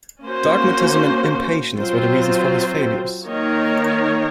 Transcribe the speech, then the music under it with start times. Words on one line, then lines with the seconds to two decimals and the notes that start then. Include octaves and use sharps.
Dogmatism and impatience were the reasons for his failures.
0.25 A#3 C#4 F#4 C5
1.76 F#3 C4 F4 C5
3.26 D#3 A#3 D#4 A#4 C#5